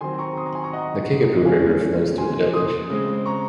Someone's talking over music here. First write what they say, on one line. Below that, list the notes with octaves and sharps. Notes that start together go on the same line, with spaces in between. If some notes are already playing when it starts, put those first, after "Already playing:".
The Kickapoo River flows through the village.
D#3 F#3 C4 G#5 C6
A#5 C#6
C6 D#6
A#5 C#6
G#5 C6
A#5 C#6
D#5 F#5
A#2 G#3 C#4 F5 G#5
G#5 C6
C6 D#6
C#3 G#3 C4
A#5 C#6